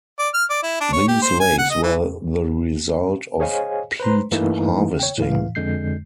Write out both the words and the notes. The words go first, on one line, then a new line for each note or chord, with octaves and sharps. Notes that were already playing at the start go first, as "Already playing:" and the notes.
These lakes were the result of peat harvesting.
D5
F6
D5
E4
D4
C#5
G4
C5
G#5
F#5
D#5
E3
G#4 C5 C#5 D#5 F5 G#5
B4 C5 A#5 C6
G2 E3 A3 A#3 D#4 E4
C#5 G5
A2 E3 F5
F2 D3 G#3 G6 C7